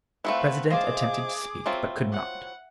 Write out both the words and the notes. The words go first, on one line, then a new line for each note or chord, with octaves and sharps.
The president attempted to speak, but could not.
A3 C4 E4 F4 B4 F#5
F4 G#4 C5 D#5 D6
F#3 C4 E4 F4
F#5